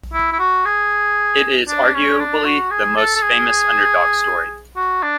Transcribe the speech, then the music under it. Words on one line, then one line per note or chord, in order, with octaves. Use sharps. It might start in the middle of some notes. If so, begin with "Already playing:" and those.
It is arguably the most famous underdog story.
E4
E4
F#4
G#4
D4
C#4
D4
F#4
G#4
A4
A4
G#4
F#4
D4